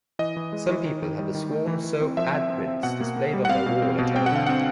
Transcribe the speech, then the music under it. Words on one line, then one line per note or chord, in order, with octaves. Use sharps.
Some people had the Swan soap ad prints displayed on their wall at home.
E3 D#5
E3
G#3
E3
D#3
D#3
G3
D#3
A3
E3
E3
C4
F3 E5
C4
C4
C4
B2 F#5
A#3
A#3
G3
F#5
C4 F5
B2
C4
B2
C4 G5
F#5
D3 F5
C4 F#5